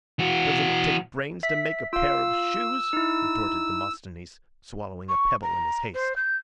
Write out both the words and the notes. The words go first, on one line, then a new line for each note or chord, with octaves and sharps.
"Doesn't it take brains to make a pair of shoes?" retorted Demosthenes, swallowing a pebble in his haste.
E3 F#4
E5 B6
F4 F5 E6
D#4 E4
C#6
A#5
C5
G6